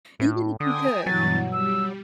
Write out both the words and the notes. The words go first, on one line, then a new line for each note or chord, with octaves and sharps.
Even if you could,
A2
D3 G5 G#5 D#6
G2 B2 E3 F#3 A6
G3 E6